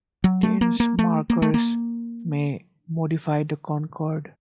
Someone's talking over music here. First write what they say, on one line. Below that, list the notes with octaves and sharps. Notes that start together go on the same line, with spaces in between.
Tense markers may modify the concord.
F#3
A3
A#3
A#3
A3
A#3
A3
A#3